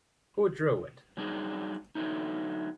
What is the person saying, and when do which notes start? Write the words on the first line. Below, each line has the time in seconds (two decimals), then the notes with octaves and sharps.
Who drew it?
1.17 F#3 G3 D4 D#4 F4 G#4
1.95 D3 F#3 A3 D#4